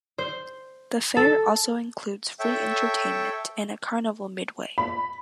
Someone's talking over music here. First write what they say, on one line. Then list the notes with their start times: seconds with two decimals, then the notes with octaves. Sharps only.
The fair also includes free entertainment and a carnival midway.
0.18 C5
1.17 A4
2.39 A4 C#5 E5 G5
4.78 B5